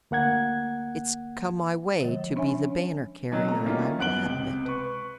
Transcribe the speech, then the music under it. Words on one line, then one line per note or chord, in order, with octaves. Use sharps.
It's come my way to be the banner-carrier, and I'm glad of it.
D2 A#3 F#5 G#6
D3 F3 G#3
C#4 D4 C#5 E5 G#5
C3 D#3 F#3 B3
A3 A#5
D#3 G3 A#3 C#4 E4 F4
F#2 B3 F#6 D7 F#7 G7
C#2 C3
B4 C#6